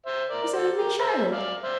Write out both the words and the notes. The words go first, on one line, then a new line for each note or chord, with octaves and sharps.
His only child!
C5 E5
A#4 D5
D5
A4 C5
G4 A#4
C5 E5
D5 F5
C5 E5